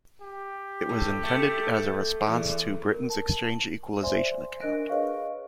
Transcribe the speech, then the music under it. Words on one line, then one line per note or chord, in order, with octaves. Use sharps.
It was intended as a response to Britain's Exchange Equalisation Account.
G4
A2
A3
E2
A#4
A5
F#7
C5 D5 E5 G#5 C6
D4 A#4 D#5 F#6 A#6 D7
G#4 B4 C#5 D#5 F5 C#6